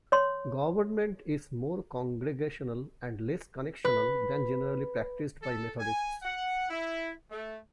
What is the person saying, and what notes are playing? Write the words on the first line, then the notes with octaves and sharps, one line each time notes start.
Government is more congregational and less connectional than generally practiced by Methodists.
C#5 C6
B4
A4
G#5
F#5
E4
A3